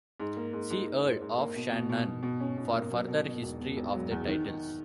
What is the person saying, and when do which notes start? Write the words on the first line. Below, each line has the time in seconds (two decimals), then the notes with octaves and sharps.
See Earl of Shannon for further history of the titles.
0.20 G#2
0.37 A#3
0.53 G#2
0.70 G#2
0.87 G#2
1.04 G#2
1.21 G#2
1.38 A#3
1.56 B2
1.72 B2
1.89 B2
2.06 B2
2.23 B2
2.40 C#4
2.57 B2
2.74 A#3
2.91 F#3
3.08 B2
3.26 B2
3.42 E1
3.60 B2
3.76 E1
3.94 F#3
4.11 E2
4.27 D#3
4.45 D#3